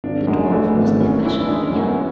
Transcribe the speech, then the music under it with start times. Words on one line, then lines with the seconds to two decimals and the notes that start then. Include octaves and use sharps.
The dwarf must be fashioned when young.
0.04 G#1 D4
0.27 F#2 G#3
0.51 E3 A3
0.76 G#1 B3
1.00 F#2 C#4
1.25 E3 E4
1.39 D4
1.48 G#3 E4
1.67 C#4
1.73 F#2
1.86 B3